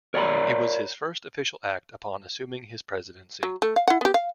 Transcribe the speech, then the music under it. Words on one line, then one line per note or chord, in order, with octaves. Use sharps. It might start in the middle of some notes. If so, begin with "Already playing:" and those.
It was his first official act upon assuming his presidency.
A#4 C#5 D5 G5 A#5 B5
F#3
A3
F5
E4 F#5
B3 G4
F5